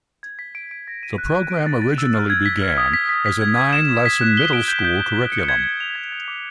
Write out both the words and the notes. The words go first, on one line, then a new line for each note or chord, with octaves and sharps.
The program originally began as a nine lesson middle-school curriculum.
G#6
B6
D7
D7
A#6
D#7
F#6
F#6
D7
A6
A6
E6
F6
G#6
B6
F6
D#6
B6
B6
B6
G#6
G#6
E7
E7
B6
F#6
G7
D7
G6
G6
G6
G6
C#7
G#6
G#6
F7
G#6
G#6
D6